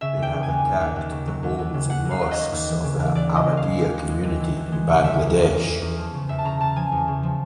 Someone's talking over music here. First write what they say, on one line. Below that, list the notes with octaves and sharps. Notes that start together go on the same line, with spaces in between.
They have attacked the homes and mosques of the Ahmadiyya community in Bangladesh.
C#3 E5
D#2
G5
C#3
G#5
D#2
D#2
D#2
D#2
C#3
F#3
D#2
D#2
C#3
D#2 F#5
D#2
F5
D#2
D#5
F#3
D#2
E3
C#3
D#2
D#2 D5
C#3 D#5
G#3
G#3 F5
D#2
G#3
G#3
D#2
E3
D#2
G#3
C#3
E2 E5
E2
E2
E2
E2
E2
F3
C#3
E2 E5
A5
C#3 A#5
C#3 A5
F3 G#5
E2
C#3
F3